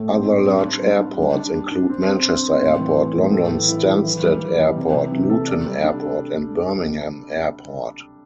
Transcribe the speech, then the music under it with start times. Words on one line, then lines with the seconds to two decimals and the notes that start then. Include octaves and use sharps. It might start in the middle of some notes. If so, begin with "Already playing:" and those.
Other large airports include Manchester Airport, London Stansted Airport, Luton Airport and Birmingham Airport.
Already playing: A2 A3
0.10 C4
0.28 C4
0.46 G3
0.64 D4
0.82 G3
1.00 D4
1.18 G3
1.36 D4
1.54 D4
1.72 D4
1.90 C4
2.08 C4
2.26 C4
2.43 C4
2.61 A2
2.79 E3
2.97 A2
3.15 A2
3.33 A4
3.50 E3
3.69 E4
3.87 E4
4.05 E3
4.23 G3
4.41 E3
4.58 E3
4.76 C3
4.94 C3
5.12 C3
5.30 A4
5.48 D5
5.66 G3
5.84 D4
6.02 A4